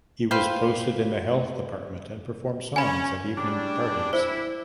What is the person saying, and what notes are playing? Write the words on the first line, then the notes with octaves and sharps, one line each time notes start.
He was posted in the health department and performed songs at evening parties.
B4 C5 F5 G5
C#4 G#5 B5
C#3 G3 D4
E4 C5